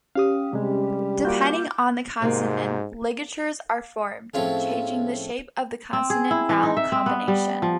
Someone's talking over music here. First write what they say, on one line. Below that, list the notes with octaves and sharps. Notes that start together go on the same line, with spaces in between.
Depending on the consonant, ligatures are formed, changing the shape of the consonant-vowel combination.
C#4 G4 F5 D#6
C3 G3 G#3
A#3 F4 F#4 D6 G6
G#2 C3 A#3 F#4
A2 F3 C4 C#4 F4 G#4
C4
G#4
E4
E3
D#4
E5
C4
B3
G3
F3